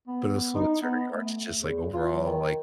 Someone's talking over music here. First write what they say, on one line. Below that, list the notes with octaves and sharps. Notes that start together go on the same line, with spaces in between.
but also it's very hard to just, like, overall, like,
B3
D#4
B3
A3
E2
F4
F#3
D#3